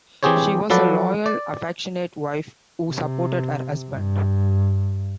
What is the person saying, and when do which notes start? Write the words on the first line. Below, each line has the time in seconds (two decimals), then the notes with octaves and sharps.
She was a loyal, affectionate wife, who supported her husband.
0.23 E3 C4 G4 G#4 C5 C#5
0.70 F3 F#3 A4 B4 D5
1.26 D5
2.90 C3
3.90 G2